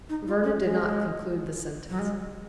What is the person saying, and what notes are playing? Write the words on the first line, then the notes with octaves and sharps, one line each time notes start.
Vernon did not conclude the sentence.
D#4
F4
C#4
G#3
F#3
G#3